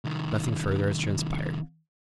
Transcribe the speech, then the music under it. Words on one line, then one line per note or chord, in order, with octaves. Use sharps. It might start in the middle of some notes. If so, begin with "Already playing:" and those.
Nothing further has transpired.
C2 D#3